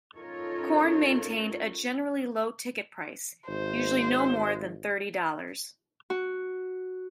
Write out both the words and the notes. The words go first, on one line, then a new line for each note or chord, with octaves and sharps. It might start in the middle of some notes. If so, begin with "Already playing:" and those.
Korn maintained a generally low ticket price, usually no more than thirty dollars.
C#4 D#4 F4 A4 A#4 C#5
G#1 C5
F#4